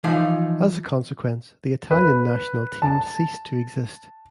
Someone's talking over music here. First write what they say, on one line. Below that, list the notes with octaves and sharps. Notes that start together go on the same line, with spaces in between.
As a consequence the Italian national team ceased to exist.
E3 F3 D#4 F5
B4
A5